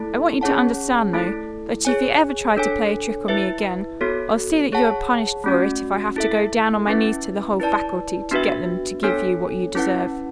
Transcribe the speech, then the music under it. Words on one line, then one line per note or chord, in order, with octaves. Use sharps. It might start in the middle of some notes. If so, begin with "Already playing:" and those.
I want you to understand, though, that if you ever try to play a trick on me again, I'll see that you are punished for it if I have to go down on my knees to the whole faculty to get them to give you what you deserve.
Already playing: A3 E4 A4
C#4 G#4 C#5 F#5 A5
A3 E4 A4
G#4 C#5 G#5
D4 A4 C#5 G#5
E4 B4 E5
B3 F#4 A4 C#5
G#4 C#5 F#5 A5
A3 C#4 F#4
E4 A4 E5
C#4 E4 B4 E5
E4 B4 D5 A5
B3 D4 F#4 B4 E5
B3 D4 A4 C#5 G#5
C#4 E4 B4 F#5